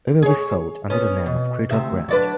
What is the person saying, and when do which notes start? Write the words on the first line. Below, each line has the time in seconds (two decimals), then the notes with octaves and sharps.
It will be sold under the name of Creta Grand.
0.22 G#4 C#5
0.90 B3 C#4
1.26 B2
1.71 D2 C3 E5
2.09 F#3 D4 B4